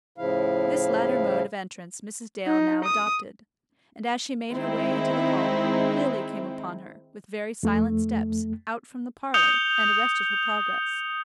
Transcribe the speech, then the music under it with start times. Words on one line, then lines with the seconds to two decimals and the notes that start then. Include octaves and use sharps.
This latter mode of entrance Mrs. Dale now adopted; and as she made her way into the hall Lily came upon her, with very silent steps, out from the parlour, and arrested her progress.
0.18 A2 C#3 F3 E4 F5
2.46 D#4
2.84 D#6
4.51 D#3 G#3 C4 D#4 E4
7.63 F2 A3
9.34 D#6 G6 C#7 F7 G7